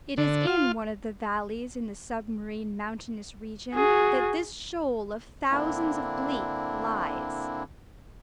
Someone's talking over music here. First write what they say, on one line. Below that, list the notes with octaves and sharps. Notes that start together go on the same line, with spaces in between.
It is in one of the valleys in the submarine mountainous region that this shoal of thousands of bleak lies.
D3
F4
F#4 G#4
D3 A#3 C4 D4 E4